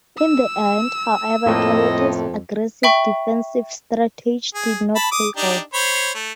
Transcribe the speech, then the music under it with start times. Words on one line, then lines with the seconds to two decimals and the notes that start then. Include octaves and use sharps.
In the end, however, Toyoda's aggressive defensive strategy did not pay off.
0.17 E6
1.46 F2 A2 A3 A#3 D#5
2.83 E5 G5 B5 C#6
4.55 G#4
4.96 A5 B5
5.12 D6 D#6
5.37 D4 D#4 G4
5.74 C5 C#5 B5
6.15 A3